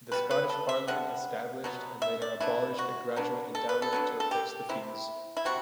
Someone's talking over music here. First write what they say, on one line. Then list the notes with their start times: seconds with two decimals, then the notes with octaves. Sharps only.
The Scottish Parliament established, and later abolished a graduate endowment to replace the fees.
0.12 B2 G3 B3 B4
0.31 B4
0.50 A4
0.69 E5
0.88 D3 G3 B3 F#5
1.64 B2 F#3 B3
2.02 E5
2.22 D5
2.40 E3 B3 D4 E4
2.79 F#4
3.16 F#3 B3 D4
3.55 A4
3.69 B4
3.82 A4
3.93 F#3 B3 D4
4.20 A4
4.31 G4
4.69 F#3 C4 E4
4.74 C3
5.37 E4
5.45 C3 G3 C4 F#4